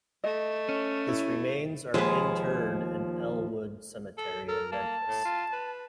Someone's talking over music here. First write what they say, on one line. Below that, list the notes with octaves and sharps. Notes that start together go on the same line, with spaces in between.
His remains are interred in Elmwood Cemetery in Memphis.
A3 D#5
C#4
E4
D#2 F3 G#3 B4
A4
A4 A#4
A#3 A5
A2
F4
B4